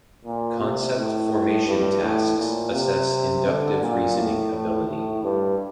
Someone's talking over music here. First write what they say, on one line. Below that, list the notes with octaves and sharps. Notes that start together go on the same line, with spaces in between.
Concept Formation tasks assess inductive reasoning ability.
A#2
C3
A2
G2
A2
A#2
C3
D3
A#2
A2
A2
A2
G2